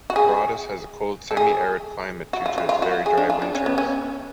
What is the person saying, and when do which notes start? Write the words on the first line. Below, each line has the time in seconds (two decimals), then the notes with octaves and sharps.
Broadus has a cold semi-arid climate due to its very dry winters.
0.10 F#4
0.16 G#4
1.31 A4
1.37 G#4
2.33 F#4
2.46 F4
2.58 F4
2.69 F4
2.82 F#4
3.06 G#4
3.18 D4
3.30 F4
3.42 D4
3.55 C#4
3.66 B3
3.78 C#4